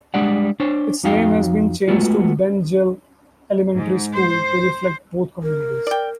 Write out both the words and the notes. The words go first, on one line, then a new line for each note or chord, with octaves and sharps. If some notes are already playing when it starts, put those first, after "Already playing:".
Its name has been changed to Ben-Gil Elementary School, to reflect both communities.
G3 G#3 D4 D5 F#5
D4 C5 C#5
F2 D#4 F#4 F5 G5
G#3 A3 B3 F4 F#4
G#2
C5
A#4
D5 G5